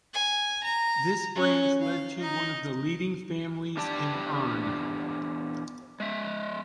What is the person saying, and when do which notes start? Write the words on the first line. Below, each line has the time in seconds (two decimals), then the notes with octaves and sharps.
This branch led to one of the leading families in Urn.
0.14 G#5
0.63 A#5
1.35 C#4
1.81 F5
2.20 D#4
3.77 E2 D4 G4 D5 G5 A5
6.00 G#3 E5